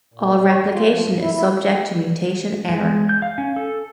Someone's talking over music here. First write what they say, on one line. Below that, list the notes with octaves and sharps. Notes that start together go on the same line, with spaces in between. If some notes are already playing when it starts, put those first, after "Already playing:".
All replication is subject to mutation error.
A#2
G3
C#5
G3
F4
F3
G#2
E4
E4
G#3
G6
F5
C#4
A4